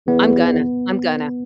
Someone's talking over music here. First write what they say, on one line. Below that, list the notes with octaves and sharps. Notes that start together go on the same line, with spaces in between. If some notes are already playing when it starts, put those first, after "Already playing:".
I'm gonna. I'm gonna.
E2 B3